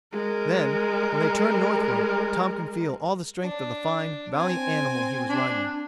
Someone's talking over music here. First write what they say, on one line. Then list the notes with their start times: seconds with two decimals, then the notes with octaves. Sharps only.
Then, when they turned northward, Tom could feel all the strength of the fine, valiant animal he was riding.
0.13 G#3 A#4
3.44 D4
4.36 C4 G#5
5.29 D4